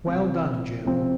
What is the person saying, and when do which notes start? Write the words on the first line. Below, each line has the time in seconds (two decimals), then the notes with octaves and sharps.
Well done June.
0.07 C3 F3 C4
0.84 C3 F3 C4